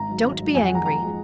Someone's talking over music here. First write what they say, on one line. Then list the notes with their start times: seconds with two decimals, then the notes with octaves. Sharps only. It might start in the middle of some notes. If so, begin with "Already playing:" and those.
Don't be angry.
Already playing: G#1 A#5
0.08 G#2 F#3
0.23 G#1
0.38 G#2 F#3
0.54 F2 G#5
0.65 F#5
0.70 F3 G#3 A#5
0.86 F2 A#5
1.01 F3 G#3